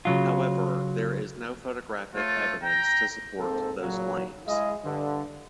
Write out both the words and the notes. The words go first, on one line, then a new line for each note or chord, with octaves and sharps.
However, there is no photographic evidence to support those claims.
C#3 F#3 F4
A3 F4 C#5
G5 A#5
G#2 A#3 C4 A4
A#2 C#3 F#3
G#3 E4 G#4 D#5 F5
G2 D3